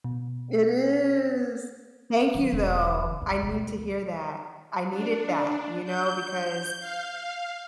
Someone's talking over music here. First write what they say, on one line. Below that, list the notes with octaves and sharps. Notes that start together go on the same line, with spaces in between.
It is. Thank you though. I need to hear that. I needed that, you know, because
B2
D#3 F#3
E1 D3
C#2 F#2
D2 B2
D4
G6
F5